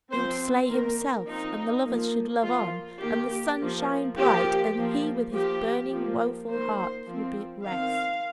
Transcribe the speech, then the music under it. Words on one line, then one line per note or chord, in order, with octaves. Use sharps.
He would slay himself, and the lovers should love on, and the sun shine bright, and he with his burning, woeful heart would be at rest.
F3 C4 C5
D#3 A#3 A#4
F3 C4 D#4
F3 A#3
F3 A#3 F4
D#3 A#3 G4
F3 A#3
F3 A#3 G4
F3 A#3
F3 A#3 G4
F3 A#3
D#3 A#3 C5
F3 C4
D#3 C4 F5